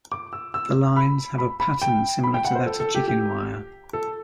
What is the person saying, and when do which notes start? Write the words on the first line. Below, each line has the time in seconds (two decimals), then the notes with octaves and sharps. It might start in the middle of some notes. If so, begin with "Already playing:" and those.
The lines have a pattern similar to that of chicken wire.
0.12 D6
0.33 E6
0.54 E6
0.96 B5
1.38 B5
1.60 B5
1.82 G5
2.23 B5
2.34 G5
2.45 F#5
2.55 C5
2.66 A4
2.80 A4
2.95 G4
3.08 G4
3.93 A4